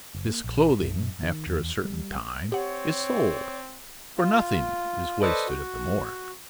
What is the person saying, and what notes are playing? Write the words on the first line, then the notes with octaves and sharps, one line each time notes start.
This clothing, after a certain time, is sold--for nothing is wasted at the Morgue.
F#1
A#3
A#1
F#2
D#3
E2
G3
C4 G4 C#5 F#5
F4
A4 B4 C5 D5 D#5
F#4